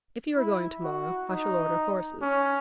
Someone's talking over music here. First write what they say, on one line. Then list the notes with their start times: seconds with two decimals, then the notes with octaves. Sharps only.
'If you are going to-morrow, I shall order horses.'
0.36 E4
0.83 F#4
1.29 D#4
2.22 C#4